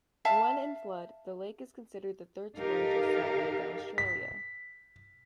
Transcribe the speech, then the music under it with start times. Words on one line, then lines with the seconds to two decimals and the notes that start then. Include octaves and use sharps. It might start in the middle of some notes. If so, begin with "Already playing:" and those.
When in flood, the lake is considered the third largest salt lake in Australia.
0.25 E5 F5 A5
2.58 D#4 G4 A4 A#4 F5
3.98 B6